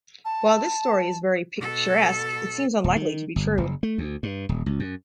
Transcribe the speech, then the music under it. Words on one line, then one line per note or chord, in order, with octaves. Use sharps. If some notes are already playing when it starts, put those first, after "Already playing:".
While this story is very picturesque, it seems unlikely to be true.
A5
B2 A4
D1
D#3
G1
F#1
A3
D2
G2
D#1
C#2
F#2